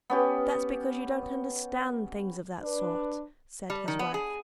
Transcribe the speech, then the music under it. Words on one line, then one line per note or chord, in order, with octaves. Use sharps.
"That's because you don't understand things of that sort," said his wife.
B3 C#4 G4
D4 B4
G3
D#3
B3
G#4